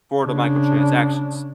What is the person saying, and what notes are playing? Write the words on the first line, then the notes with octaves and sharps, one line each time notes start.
for the microtransactions.
C#3 D4